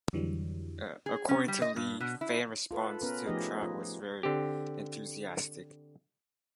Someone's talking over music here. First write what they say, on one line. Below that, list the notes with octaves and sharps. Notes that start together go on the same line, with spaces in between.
According to Lee, fan response to the tryout was very enthusiastic.
F2 D3 E3 F#3 G3
G#4
C#4
G3
D#5
G2
B2
E4
F4 A4 B4
B3 C#4 A#4 B4
F3 A3 D#4 G4 G#4 D#5
F4
D3 C4 G4